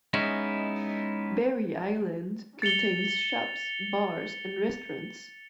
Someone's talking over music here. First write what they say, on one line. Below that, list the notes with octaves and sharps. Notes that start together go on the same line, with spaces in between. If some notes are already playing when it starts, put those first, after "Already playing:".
Barry Island contains shops, bars and restaurants.
G#3 B3 C#4 D#4 E4
A6 C#7 F7 G7